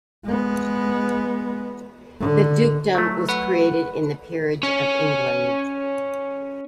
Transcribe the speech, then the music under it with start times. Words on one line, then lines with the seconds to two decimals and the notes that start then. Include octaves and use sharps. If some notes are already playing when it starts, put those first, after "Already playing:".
The dukedom was created in the Peerage of England.
0.25 G#3 B3
2.20 D3
2.95 F#3 A3
3.29 B4 F#5
4.63 C#4 C#5